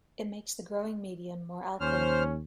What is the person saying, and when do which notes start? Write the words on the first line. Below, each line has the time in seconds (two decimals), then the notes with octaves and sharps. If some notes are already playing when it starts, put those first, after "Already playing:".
It makes the growing medium more alkaline.
1.81 D#2 C#4 C5 F6